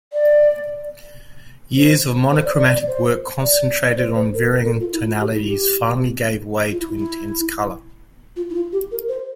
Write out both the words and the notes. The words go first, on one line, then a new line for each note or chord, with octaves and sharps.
Years of monochromatic work concentrated on varying tonalities finally gave way to intense color.
D5
C5
C5
D5
D5
D5
C5
D5
D5
C5
C5
A#4
A#4
A4
F4
E4
F4
G4
E4
G4
F4
E4
E4
F4
E4
F4
G4
A#4
C5